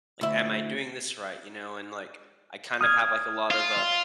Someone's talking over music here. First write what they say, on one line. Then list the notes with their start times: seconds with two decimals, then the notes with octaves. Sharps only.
like, "Am I doing this right," you know, and, like, I kind of have, like, uh, lot of
0.21 D2 E4
2.81 D#6 F6 G#6
3.51 F4